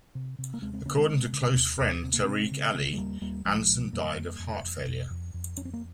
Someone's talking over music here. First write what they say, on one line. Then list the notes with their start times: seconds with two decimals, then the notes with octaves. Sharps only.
According to close friend Tariq Ali, Anderson died of heart failure.
0.15 C3
0.39 C3
0.54 A#3
0.62 D#2 G#3 C4
0.73 G#3 C4
0.86 C#3 A#3 C#4
0.97 G#3 C4
1.09 C#3
1.33 C#3
1.56 D#2
1.80 D#2
2.04 C3 C4
2.14 A#3
2.23 C3 G#3 C4
2.51 C#3
2.74 C#3
2.93 G#3
2.98 D#2 G3 A#3
3.21 D#2 G3 A#3
3.45 C2 F3 G#3
3.69 A#2
3.92 F2 G3 A#3
4.16 F2
4.39 F2
4.63 F2
4.87 F2
5.10 F2
5.34 F2
5.57 F2 C#4
5.65 C4
5.73 A#3